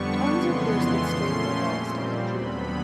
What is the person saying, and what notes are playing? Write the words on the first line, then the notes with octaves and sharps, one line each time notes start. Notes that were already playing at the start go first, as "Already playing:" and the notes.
Tongues are pierced with straight barbell style jewelry.
Already playing: F2 D3 G3 B3 D4 C#6
F2 C#3 E3 G#3 B3 C6
A#2 F3 A3 C#4
A#2 G3 C4
D#2 D3 F#3 B3 B5